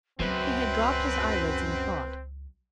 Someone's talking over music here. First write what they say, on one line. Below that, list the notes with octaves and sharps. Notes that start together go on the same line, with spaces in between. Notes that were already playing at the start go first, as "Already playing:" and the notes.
He had dropped his eyelids in thought.
C#2 F#2 F#3 C4 B4